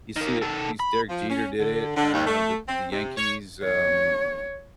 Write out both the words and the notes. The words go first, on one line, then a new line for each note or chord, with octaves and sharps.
You see it you se Derek Jeter did it, uh, the the Yankees, um,
D#3 A#3
D#3 A4
B5
F3
C#4
D3
D3
D#2
A3
C4
C3
C#5
C#5